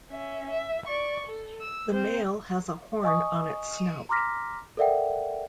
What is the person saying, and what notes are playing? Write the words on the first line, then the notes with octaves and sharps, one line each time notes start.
The male has a horn on its snout.
C#4 E5
E5
D5 C#6
A4
E6
C4 C5
D#5 G#5 C#6 D#6
A#5 C6 D6 F6 A#6 B6
A4 A#4 D5 E5 F#5 G5